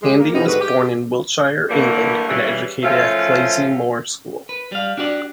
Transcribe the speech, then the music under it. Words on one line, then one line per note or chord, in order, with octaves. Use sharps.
Handy was born in Wiltshire, England and educated at Clayesmore School.
G#3 G4
A#3
C3 E3 F3 B3 D#4
G#2 D3 F#4 B4
G4
D3 E3 G3 A3 A#3
C#3 E3 G3
F#2 F3 A3 C#4 F4 F5
B4
G3 F5
D4 F#4 G4 C#5 D5